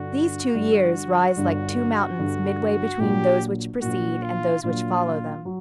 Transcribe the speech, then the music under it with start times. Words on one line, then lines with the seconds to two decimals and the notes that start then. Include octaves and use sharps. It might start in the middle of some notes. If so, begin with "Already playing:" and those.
These two years rise like two mountains midway between those which precede and those which follow them.
Already playing: G1 G2 D3 G3 F#4
0.54 G1 G2 D3 G3
1.36 G1 G2 D3 G3
2.17 G1 G2 D3 G3
2.99 A#1 A#2 F#3 A#3 G4
3.81 A#1 A#2 F#3 A#3 F#4
4.22 F4
4.63 A#1 A#2 F#3 A#3 F4
5.45 F#3